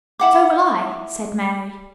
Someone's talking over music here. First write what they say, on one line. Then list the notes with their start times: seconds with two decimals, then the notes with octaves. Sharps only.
"So will I," said Mary.
0.20 E4 F#5 D6